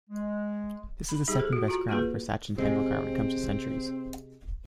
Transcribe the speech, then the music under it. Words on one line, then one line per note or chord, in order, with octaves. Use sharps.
This is the second best ground for Sachin Tendulkar when it comes to centuries.
G#3
B5
G3 D#4 G4 G#4
G#4 A4 C5
F#4
F4 F#4 A#5
A#3 F4 G#4 B4
C3 G#3 C4